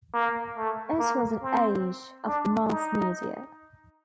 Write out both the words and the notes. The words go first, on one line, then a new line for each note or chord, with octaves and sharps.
It was an age of Mass media.
A#3
A3
A#3
C4
D4
D#4